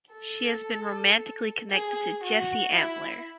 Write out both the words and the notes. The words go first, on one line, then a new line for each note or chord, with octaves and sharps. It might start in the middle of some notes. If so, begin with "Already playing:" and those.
She has been romantically connected to Jesse Antler.
A4
G#4
F#4
E4